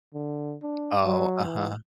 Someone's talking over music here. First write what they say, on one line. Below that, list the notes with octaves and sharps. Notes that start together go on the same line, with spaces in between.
Oh, uh-huh.
D3
D4
F#3
E3